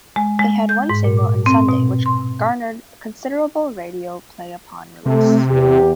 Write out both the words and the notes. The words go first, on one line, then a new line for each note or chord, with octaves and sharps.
It had one single in "Sunday" which garnered considerable radio play upon release.
G#3
G#3
G6
G#2
A#2
D6
C4
B2
C6
C3 A3
E2 G4